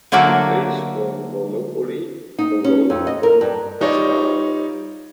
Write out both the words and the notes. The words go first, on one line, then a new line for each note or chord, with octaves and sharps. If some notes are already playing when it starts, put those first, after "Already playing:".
He plays for Monopoli on loan from Pescara.
D3 F#3 A3 A#3 F#4
D#4
C#4
F2
D#5
A#4
G2
G3 D#4 F4 C#5 D5